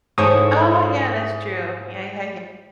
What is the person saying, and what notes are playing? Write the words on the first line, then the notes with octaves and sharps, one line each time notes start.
Oh, yeah, that's true. Yeah, yeah,
G#2 E4 A4 C#5 D#6